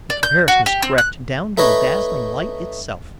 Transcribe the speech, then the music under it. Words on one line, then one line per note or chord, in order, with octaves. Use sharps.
The comparison is correct down to the dazzling light itself.
D5
G6
F#4
G4
C4
F#6
A3 D#4 B4 C#5 D#5